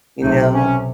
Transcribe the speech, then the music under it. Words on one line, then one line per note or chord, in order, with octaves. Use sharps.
You know?
B1 C3 A3 D#4
C#4